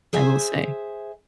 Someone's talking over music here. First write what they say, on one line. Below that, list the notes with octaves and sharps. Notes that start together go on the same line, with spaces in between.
I will say.
G#4 C5 E5 G#5